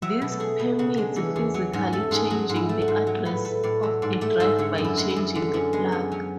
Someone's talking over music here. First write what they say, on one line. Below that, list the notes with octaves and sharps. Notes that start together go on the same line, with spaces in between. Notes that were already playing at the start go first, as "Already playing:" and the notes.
This permits physically changing the address of a drive by changing the plug.
F#3 E5
B2
A4
A3 G#4
B2
C#3 F#4
G#3 D4
E3 C#4
E2 C#4
F#3 C#4
G#2 C#4
A3 A4
G#2 G#4
F#3 F#4
G#2
E4
A3
F#4
G#2
F#3
A2 B4
A3 B4
A2 D5
F#3 E5
G#2 D5
A3 D5
G#2 E5
D3 C#5
F#2
E4
G#3
E4
F#2
D3
F#2 C#4
G#3 B3
F#2 C#4
F#3 C#4